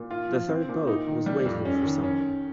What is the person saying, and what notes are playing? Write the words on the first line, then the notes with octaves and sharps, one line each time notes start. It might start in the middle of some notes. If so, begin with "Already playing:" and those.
The third boat was waiting for some one.
Already playing: A#2
F4
F3
C4
A#2
D#4
D#3
G3
F2
C#4
D#3
C#4